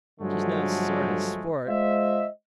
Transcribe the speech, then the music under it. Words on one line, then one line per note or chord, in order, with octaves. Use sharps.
She's no sort of sport.
G2 D3 F3 F#3 G#3 A3
G#3 F4 C5 D#5 E5